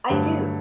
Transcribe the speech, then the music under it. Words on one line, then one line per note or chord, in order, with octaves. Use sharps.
I do.
G2 D3 F#3 A3